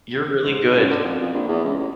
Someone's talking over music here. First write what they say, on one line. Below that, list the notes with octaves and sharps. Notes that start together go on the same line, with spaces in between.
You're really good.
G#2
B1
C#2
D3
F2
F2
A#1
E2
C#2
A1